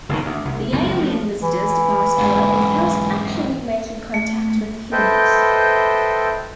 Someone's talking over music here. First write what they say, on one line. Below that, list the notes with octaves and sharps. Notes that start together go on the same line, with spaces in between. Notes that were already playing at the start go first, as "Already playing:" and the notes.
The alien visitors depart Earth without actually making contact with humans.
F#1 B1 A#2 D#3
D2
C2
C#2 F#2 B3 C4
F3 A3
E3
E2 G#2
A3
A4 B4 C5 D#5 E5 G5